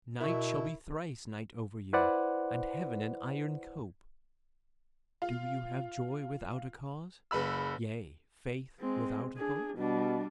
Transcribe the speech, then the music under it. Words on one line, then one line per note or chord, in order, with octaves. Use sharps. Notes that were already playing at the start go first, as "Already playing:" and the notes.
"Night shall be thrice night over you, And heaven an iron cope. Do you have joy without a cause, Yea, faith without a hope?"
B2 E4 A#4 C#6
E4 B4 C5 D5 F#5
F4
F#1 B4 B5 E6
G#3 C4
D4 G#4
B2 G3 D4